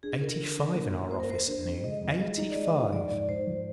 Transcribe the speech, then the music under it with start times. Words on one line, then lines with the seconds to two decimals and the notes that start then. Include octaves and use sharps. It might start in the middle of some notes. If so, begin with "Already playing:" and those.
Eighty-five in our office at noon--eighty-five!
0.03 D4 G#4
0.21 D3 A#4
0.39 D3
0.57 D4
0.75 A#3
0.93 A#3
1.11 A#3 C5
1.20 A#4
1.29 A#3 C5
1.48 D4
1.65 F2
1.84 G#3 D#5
2.02 F2
2.20 G#3
2.38 D#4
2.50 D5
2.56 G#3 D#5
2.68 D#5
2.74 D#4
2.93 F3 D5
3.10 G#2 D5
3.28 G#2 C5
3.47 F3